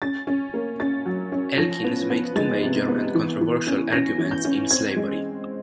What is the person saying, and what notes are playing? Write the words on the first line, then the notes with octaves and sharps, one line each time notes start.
Elkins made two major, and controversial, arguments in "Slavery".
C#4 A6
C#4
A#3
C#4 A6
F#3
C#4
F3 A#6
B3
B3
G#3 A6
C3
B3
E3
E3
C#4
C#4 A#6
E3
G6
C#4
C4 G#6
G#3